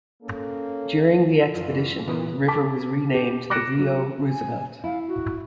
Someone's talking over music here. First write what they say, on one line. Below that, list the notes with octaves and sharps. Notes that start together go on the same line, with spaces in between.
During the expedition, the river was renamed the Rio Roosevelt.
A#3 C#4 A4
F#2 E3 F4
A#2 E3 B3
A5 D6 B6
G4
D6 F#6 A#6 C#7 D7 E7
F#3
G#5
E4 F5
F#4